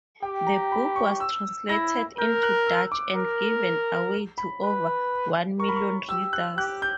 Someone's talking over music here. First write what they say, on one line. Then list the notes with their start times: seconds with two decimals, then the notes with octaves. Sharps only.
The book was translated into Dutch and given away to over one million readers.
0.23 G4 G5
0.47 A#5
0.72 B5
0.96 C#6
1.20 E6
1.69 E4 A#6
2.18 A#4 G6
2.43 F#6
2.67 E6
2.92 D6
3.15 A#4
4.38 B5
4.62 B4
5.60 A#4 C#6
5.68 B5
5.76 C#6
6.09 G4 E6
6.33 F#6
6.57 G4 F#6
6.82 G6